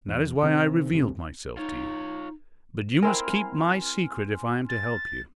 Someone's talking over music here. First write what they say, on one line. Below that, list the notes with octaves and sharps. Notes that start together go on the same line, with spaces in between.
That is why I revealed myself to you. But you must keep my secret if I am to help you.
E2
C3 D#3 C4
G1 C3
D#4 F4 C#5
C4 E4 A#4 G#5 C6 F6
A6